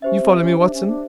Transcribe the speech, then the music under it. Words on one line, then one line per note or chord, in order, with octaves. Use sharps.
You follow me, Watson?
C#4 G4 C5 E5
C4
C#4
D4
C#4
D4